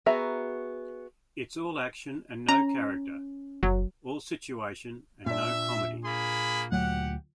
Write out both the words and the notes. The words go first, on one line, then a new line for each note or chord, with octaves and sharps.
It's all action and no character, all situation and no comedy.
B3 F#4 G#4 E5 A#5
C#4 A#5
F#1 F#3
A#2 D4 E5
A#3 G#4 B5
D2 F#3 A3 G4 F#5